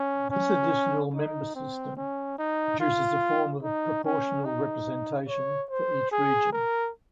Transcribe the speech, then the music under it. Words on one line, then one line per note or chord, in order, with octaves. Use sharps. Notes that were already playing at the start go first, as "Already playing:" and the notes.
This additional member system produces a form of proportional representation for each region.
Already playing: C#4
C#4
D#4
C4
C#4
D#4
F4
D#4
C#4
D#4
C#5
C5
G#4
A#4